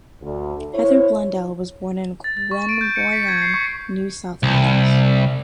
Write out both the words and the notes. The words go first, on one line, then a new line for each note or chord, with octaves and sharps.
Heather Blundell was born in Queanbeyan, New South Wales.
D2
E4 C5 C#5
A6
A6
C#6
D7
G6
C#7
B6
G#6
C7
C#6
C2